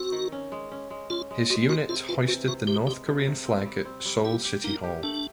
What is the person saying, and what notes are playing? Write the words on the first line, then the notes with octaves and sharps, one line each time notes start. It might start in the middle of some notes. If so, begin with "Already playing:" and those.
His unit hoisted the North Korean flag at Seoul City Hall.
Already playing: C4 F#4
D#3
C#4
G#3
C#4
G#3
C#4 F4
G#3
G#3 F#4
G#3 F#4
C3 F4
E3 F4
C3 F#4
C3 F#4
C3 G4
G#3 G4
C3
C3
C4
G3
C4
G3
E4 G4
G4
A#3 D#4
G4
A3 D4